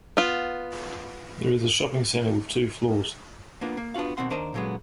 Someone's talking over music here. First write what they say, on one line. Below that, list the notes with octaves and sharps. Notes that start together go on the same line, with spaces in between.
There is a shopping center with two floors.
B3 F4
A#3 B3 D4 F4
A#3
B3 D4 F4 F#4 F5
B1 B2 D#3 C4 F#5 C6
D#2 D4 A#4 C5 D#5 A#5
A#2 D3 F#3 G#3 B3